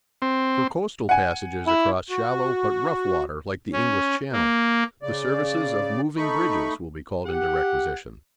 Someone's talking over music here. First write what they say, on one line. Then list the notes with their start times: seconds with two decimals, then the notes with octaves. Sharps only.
For coastal passages across shallow but rough water like the English Channel, the services of moving bridges will be called into requisition.
0.22 C4
1.09 F#5 G#5
1.67 E4
2.10 F#4
3.73 C#4
4.32 A#3
5.02 C#3 D5
6.17 A3 D#4 B5 C#6
7.26 G4 F#5